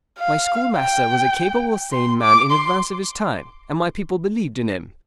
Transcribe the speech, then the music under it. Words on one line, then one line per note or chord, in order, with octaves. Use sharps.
My schoolmaster was a capable sane man in advance of his times and my people believed in him.
F5
G5
C6
D6
C6